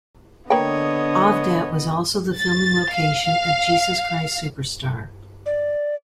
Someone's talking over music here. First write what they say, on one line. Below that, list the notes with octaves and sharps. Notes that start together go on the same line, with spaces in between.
Avdat was also the filming location of "Jesus Christ Superstar".
D3 A#3 B3 B4 C#5 D#5 G5
A6
F5
D5